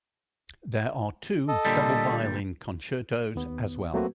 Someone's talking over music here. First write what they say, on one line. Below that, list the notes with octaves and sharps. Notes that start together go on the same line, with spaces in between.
There are two double-violin concertos as well.
A4 D#5
A#2 D3 G3
D#2 B3
F#3 A3 A#3 C4 F#4 B4